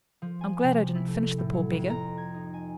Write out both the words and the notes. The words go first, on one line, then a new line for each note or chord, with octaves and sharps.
I'm glad I didn't finish the poor beggar.
F3
G#5
C3
E4
A3
A2
F#3
F2
A#5
G#6
D#4
G#5